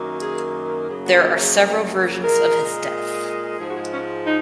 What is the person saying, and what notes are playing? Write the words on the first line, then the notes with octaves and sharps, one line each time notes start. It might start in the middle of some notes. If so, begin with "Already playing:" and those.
There are several versions of his death.
Already playing: F#2 D#3 A#3
G#4
F#2 C#3 F#3 A#3 G#4
F#4
F4
G#4
A#2 G#3 A#4
G#2 F3 G#3 G#4
F#4
G#4
C#4
D#4